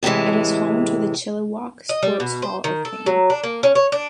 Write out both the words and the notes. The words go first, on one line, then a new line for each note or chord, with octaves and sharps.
It is home to the Chilliwack Sports Hall of Fame.
A2 C3 D#3 E3 G#3
D#5
G3
B2
C5
D#3
A4
F#3
D4
A#3
C#4
C#5
D4